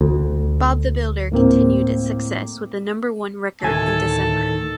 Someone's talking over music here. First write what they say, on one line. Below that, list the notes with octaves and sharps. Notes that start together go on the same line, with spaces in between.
Bob the Builder continued its success with the number one record in December.
D2
A2 A#3 C4
D2 A2 D#3 A4 G#5